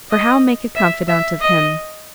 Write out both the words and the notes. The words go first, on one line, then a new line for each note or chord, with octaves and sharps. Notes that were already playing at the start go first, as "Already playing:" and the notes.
For how make a confidant of him?
D#5
E5
E5
D#5